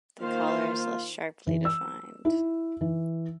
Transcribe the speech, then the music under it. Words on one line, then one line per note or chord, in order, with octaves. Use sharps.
The collar is less sharply defined.
D#3 A#3 F4 C5 F5
E3
E6
E4
E3